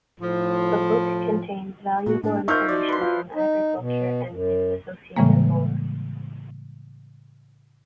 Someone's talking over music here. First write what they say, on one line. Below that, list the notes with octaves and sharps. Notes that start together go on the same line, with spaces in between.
The book contains valuable information on agriculture and its associated lore.
A2 F3
A#2 F#4
A2 D4
F3 D#4 A#4 E5 C#6 F6 G6
F#4 D5
B4 C6
F4
D#4
B2
F#2
A2 C#3 E3 G3 G#3 A#3